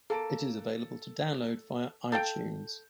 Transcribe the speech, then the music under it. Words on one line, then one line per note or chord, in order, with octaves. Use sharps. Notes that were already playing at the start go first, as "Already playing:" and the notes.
It is available to download via iTunes.
A#3 A4 A5 D7
A4 F5 G5 G6